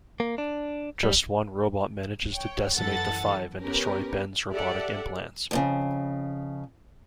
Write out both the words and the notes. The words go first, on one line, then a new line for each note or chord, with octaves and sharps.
Just one robot manages to decimate the Five and destroy Ben's robotic implants.
A#3
D4
G3
C#5 G5
F#2 E3 A4 F#5 A6
B3 C#4 G4 A#4 B4
G4 A4 D5 E5 F#5
F2 A#2 C#3